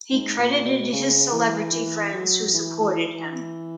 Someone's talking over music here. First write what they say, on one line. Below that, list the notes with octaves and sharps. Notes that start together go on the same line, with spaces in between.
He credited his celebrity friends who supported him.
G#2
A#2
B2
C#3
E3
E3
F#3
E3
E3
E3